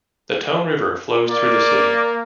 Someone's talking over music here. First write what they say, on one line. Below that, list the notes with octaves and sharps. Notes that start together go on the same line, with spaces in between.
The Tone River flows through the city.
A#3 D5